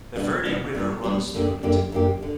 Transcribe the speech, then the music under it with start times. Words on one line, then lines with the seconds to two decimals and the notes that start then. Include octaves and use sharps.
The Verde River runs through it.
0.16 B2 G3 B3 D4
0.45 B2 G3 B3 D4
0.75 B2 G3 B3 D4
1.04 B2 G3 B3 D4
1.34 F#2 D3 A#3 D4 G4
1.63 F#2 D3 A#3 D4 G4
1.92 F#2 D3 A#3 D4 G4
2.23 D3